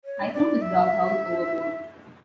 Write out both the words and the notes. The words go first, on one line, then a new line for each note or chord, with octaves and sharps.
I threw his doghouse overboard.
C#5
E5
D5
E5